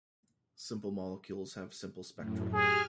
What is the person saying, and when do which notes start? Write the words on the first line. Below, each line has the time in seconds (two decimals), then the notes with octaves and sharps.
Simple molecules have simple spectra.
2.15 F#2 A2
2.53 G4 G#4 G#5 F6